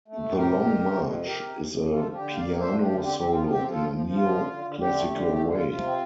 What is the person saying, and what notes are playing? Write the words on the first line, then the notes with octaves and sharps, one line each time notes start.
"The Long March" is a piano solo in a neo-classical way.
A3
A2
C3 G4 A#4
F2
C3
C3
F2
C3
C3 G4 A#4
C3
C3
C3
C3
F4 A4
F3
D3 G4
A#3 G5
D5 F5
A#3
D4 C5 E5
F3
G4
D3
C4 G4
C4 G4
F3 F4
C4 G4
F3
F4 A4
F3
F3
F3
F4
F3
D3 F4
D3
D3
D3 G4
A3
D3
A3
D3
F4
C3 F4
C4